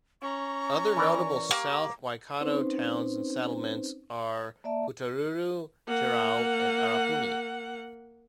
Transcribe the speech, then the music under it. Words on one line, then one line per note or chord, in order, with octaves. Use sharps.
Other notable South Waikato towns and settlements are Putaruru, Tirau and Arapuni.
C#4 A#5 C#6
E3 A#4 D5
A#3 G4
C4 C#4 D#4 B4 C5
A#3 D5 E5 A5
A#3 F#5